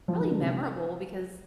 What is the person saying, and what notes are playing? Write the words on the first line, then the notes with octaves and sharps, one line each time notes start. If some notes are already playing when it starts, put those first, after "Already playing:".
really memorable, because,
F3
D#3
D3
C3